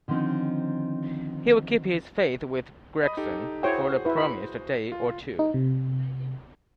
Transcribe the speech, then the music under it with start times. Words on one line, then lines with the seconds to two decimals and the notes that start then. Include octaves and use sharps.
He would keep his faith with Gregson for the promised day or two.
0.08 D3 D#3 F3 C4 C#4 D#4
3.03 D#5 B5 D#6
3.17 D#4 G4 A4
3.63 E4 F#4 G#4 C5 C#5 G5
4.05 E4 B4
4.17 B5
4.92 F4
5.39 D#4
5.54 C3